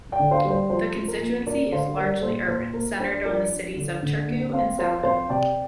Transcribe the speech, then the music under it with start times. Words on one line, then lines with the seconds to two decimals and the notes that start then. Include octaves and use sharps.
The constituency is largely urban, centred on the cities of Turku and Salo.
0.12 D5 G5
0.19 D3
0.31 C5 F5
0.44 G3
0.51 C5
0.70 F3 C5
0.95 F3
1.08 A#4
1.20 A#3
1.47 D4 A#4 D5
1.72 D3 C5 F5
1.97 G3 A#4 D5
2.23 A#2 C5
2.48 A#2 C5
2.74 A#3 A#4
3.00 D4 C5
3.25 F3 A#4 D5
3.51 D4
3.77 D3
4.02 D3
4.27 A#3
4.53 C4 C5 F5
4.78 F3 C5 F5
5.03 C4 C5 F5
5.29 C3 D5 G5